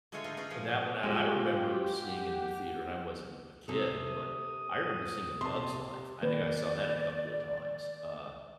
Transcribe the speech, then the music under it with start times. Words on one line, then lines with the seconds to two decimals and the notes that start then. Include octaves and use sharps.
that one, and I remember seeing in the theater, and I wasn't a kid, but I remember seeing A Bug's Life. I think I saw that a couple of times, uh,
0.12 D3 G#3 A3 F4 C#5 G#5
0.24 A3 D#4 F4
0.37 C#4 D#4 F4 G#4
0.50 A#2 F3 G#4
1.03 G#3 F4 G4
2.01 F#5
3.68 C3 A4 D#6
5.41 C3 A5 C6
6.22 D#3 A#3 B4 D5